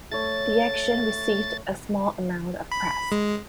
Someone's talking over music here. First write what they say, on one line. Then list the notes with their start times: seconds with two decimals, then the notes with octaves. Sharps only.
The action received a small amount of press.
0.12 A3 C#5 A6
2.72 B5
3.12 G#3